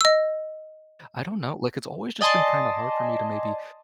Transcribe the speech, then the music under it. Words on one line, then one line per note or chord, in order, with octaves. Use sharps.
I don't know. Like, it's always, just, been, kinda, hard for me to, maybe,
D#5 E6
D5 D#5 G#5 A5 C6